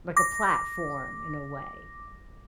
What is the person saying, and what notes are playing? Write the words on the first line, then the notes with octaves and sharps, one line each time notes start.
like, a platform in a way,
D6 A#6